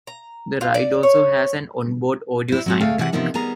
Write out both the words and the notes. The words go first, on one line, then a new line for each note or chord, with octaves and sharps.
The ride also has an on-board audio soundtrack.
A#5
F4
D5
C#5
E4 C5
F#3 C4 F#4
D2 A3 G#4 F5 G5
C3 E3 G#4 C#5 F#5
C3 E3 F3 B3 D#4 A#4
D#3 G3 B3 G#4 A#5